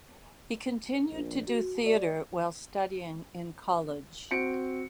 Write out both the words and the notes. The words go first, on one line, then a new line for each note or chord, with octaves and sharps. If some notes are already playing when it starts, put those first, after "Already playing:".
He continued to do theatre while studying in college.
A#1
F#4
D5
C4 F#4 C#7 D7